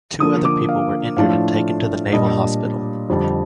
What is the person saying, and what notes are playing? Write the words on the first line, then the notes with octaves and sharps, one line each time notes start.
Two other people were injured and taken to the naval hospital.
D3 F3 A#3 D#6
D6
F5
A2 F3 A3 D4 F5
A#2 G3 D4 D#5
F2 D3 G3 D4